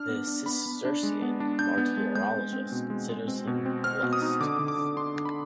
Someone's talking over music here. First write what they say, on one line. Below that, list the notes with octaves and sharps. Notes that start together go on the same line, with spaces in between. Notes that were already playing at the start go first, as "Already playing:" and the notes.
The Cistercian/ martyrologist considers him blessed.
Already playing: D4 F6
B3
D4
B3 B5
B3
D4
G#3
B3
D4
D4 G6
B3
G#3
G#3 G6
C4
C4
B2
G#3
G#3
C4
B2
C4
C4 F6
B2
D#6
D#4
D3 D6
D3
D6
D3
D4 C6
D3
B5